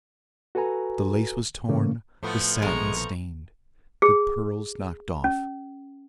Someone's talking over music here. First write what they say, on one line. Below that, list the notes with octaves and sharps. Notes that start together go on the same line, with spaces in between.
The lace was torn, the satin stained, the pearls knocked off!
F#4 A4 B4 G#5 A#5
G#2 C#3 E3 A3 A#3 C#4
A2 F3 A3 B3
A#1 B2 D#3 G#3 A#5 C#6
G#4
C#4